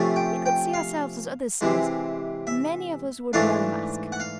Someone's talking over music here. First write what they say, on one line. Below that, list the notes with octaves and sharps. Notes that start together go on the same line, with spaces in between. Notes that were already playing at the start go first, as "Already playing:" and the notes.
If we could see ourselves as others see us many of us would wear a mask.
Already playing: C3 F3 A3 C#4
G5
G5
F5
C3 E3 G#3
E5
G#2 E3 A3 D4 F5
F#5
F5